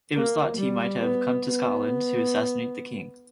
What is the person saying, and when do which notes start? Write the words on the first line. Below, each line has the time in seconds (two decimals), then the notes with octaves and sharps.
It was thought he might have come to Scotland to assassinate the king.
0.15 A#3
0.57 G3
1.01 B3
1.45 B3